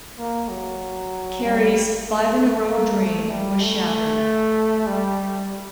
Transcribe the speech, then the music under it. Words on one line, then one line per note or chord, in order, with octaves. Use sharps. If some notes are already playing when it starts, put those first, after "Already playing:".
Kerry's five-in-a-row dream was shattered.
A#3
F#3
G3
A3
A3
A#3
A3
G3
A3
G3